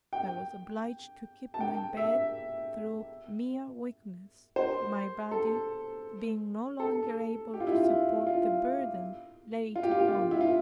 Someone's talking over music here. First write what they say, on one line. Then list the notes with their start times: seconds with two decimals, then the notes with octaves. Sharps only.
I was obliged to keep my bed through mere weakness, my body being no longer able to support the burden laid upon it.
0.13 G5
1.54 A5
1.60 G5
1.97 E5
4.56 C5
5.31 A4
6.80 A4
7.54 G4
7.60 F4
7.67 E4
7.75 F4
8.27 F4
9.76 F4
9.83 G4
9.91 F4
10.00 G4
10.08 F4
10.31 E4
10.41 F4